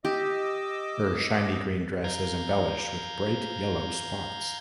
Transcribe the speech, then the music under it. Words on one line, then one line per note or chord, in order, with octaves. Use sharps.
Her shiny green dress is embellished with bright yellow spots.
G4 D#5 D6 E6
F5 A#5 G6 G#6